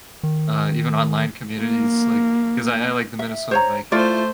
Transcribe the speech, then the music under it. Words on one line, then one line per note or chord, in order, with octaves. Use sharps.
uh, even online communities, like, because I I like the Minnesota Vikings.
D#3
A#3
E5
C5 C#5 A#5
A3 E4 F4 C5 D5